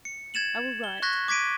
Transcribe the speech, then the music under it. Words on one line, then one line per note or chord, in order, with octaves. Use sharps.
I will write.
C#7
G#6 A6 E7 F#7
G7
C#6 F#6 G#6 A#6 B6
D6 G#6 B6 D7 D#7